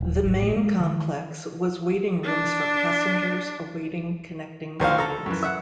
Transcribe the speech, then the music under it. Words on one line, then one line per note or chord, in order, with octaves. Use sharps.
The main complex has waiting rooms for passengers awaiting connecting trains.
D#1
G#1
A2
G#3
D#3
D4
D2 D#3 C5 F5
A4 A#5
F#2 E3
E5 F#5